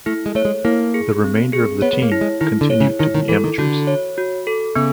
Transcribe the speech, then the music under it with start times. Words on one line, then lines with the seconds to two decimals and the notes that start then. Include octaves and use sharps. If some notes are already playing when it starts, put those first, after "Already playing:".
The remainder of the team continued to be amateurs.
0.06 A3 E4
0.26 G#3
0.35 A3 C#5
0.45 G#3
0.65 A#3 E4
0.94 G#4
1.24 C4
1.53 G#4
1.82 B3 C#5
1.93 B3
2.02 A#3
2.12 E4
2.21 G#3
2.41 D#3 E4
2.61 D3
2.70 C#5
2.80 C#3
2.99 D#3 E4
3.14 D#3
3.29 E3 A4
3.44 D#3
3.58 D3 F#4
3.87 C#5
4.18 F#4
4.47 A4
4.75 C#3 B3